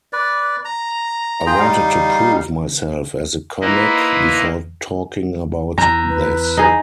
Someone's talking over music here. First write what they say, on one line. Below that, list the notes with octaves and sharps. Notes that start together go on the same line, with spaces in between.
I wanted to prove myself as a comic before talking about this.
B4 D5
A#5
F4 G#4 G5 A#5
G3 D#4 F5
A#3 D#4 E4 B4 C5 D#5
E2 A#5
B4
D#4 G#4